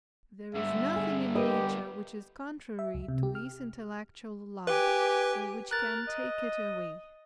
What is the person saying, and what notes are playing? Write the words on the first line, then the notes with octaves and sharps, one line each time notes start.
There is nothing in nature, which is contrary to this intellectual love, or which can take it away.
G2 D3 E5
G#4
G4 A#4 B4 D#5
E5
C#2
C3
G4
F6
G4 B4 G#5
A#4 F#6 A6
D#5